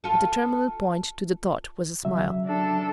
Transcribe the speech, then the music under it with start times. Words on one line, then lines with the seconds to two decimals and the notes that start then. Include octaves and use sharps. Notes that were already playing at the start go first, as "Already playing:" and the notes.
But the terminal point to the thought was a smile.
0.04 F4 A4
2.05 C#3 F#3 E5
2.46 D4 A4